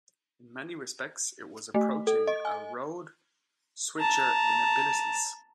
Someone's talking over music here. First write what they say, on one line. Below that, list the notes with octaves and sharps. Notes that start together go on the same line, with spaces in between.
In many respects it was approaching a road switcher in abilities.
A3
A4
D#5
G#5
A5 A#5